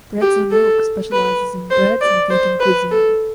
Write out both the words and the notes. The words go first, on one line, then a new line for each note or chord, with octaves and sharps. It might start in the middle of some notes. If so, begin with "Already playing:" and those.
Breads On Oak specializes in breads and vegan cuisine.
G4
A4
B4
C5
D5
C5
B4
A4